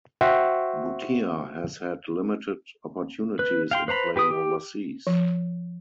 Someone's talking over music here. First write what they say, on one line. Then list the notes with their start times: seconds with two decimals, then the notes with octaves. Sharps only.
Bhutia has had limited opportunities in playing overseas.
0.21 F#4 C5 E5 F#5 G5
3.39 B4
3.71 F5 G5 C6
3.88 B4 C5 A#5 B5
4.16 G4 B4 G5 D#6
4.31 G4
5.07 F3